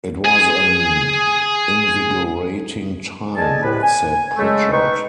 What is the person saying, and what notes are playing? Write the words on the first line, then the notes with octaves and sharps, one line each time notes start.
"It was an invigorating time," said Pritchard.
G#4 G#5
G#4 A4 D5 D#5 G#5 A5
C2 A2 B4
G#5
C#3 G#3 A3
D#4 B4 G5 C#6